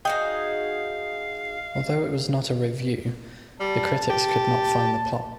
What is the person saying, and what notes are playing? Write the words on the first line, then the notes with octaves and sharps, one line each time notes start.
Although it was not a revue, the critics could not find the plot.
D#4 F#4 G#4 D#5 F5 G5 D#6 G6
G3 A5
G4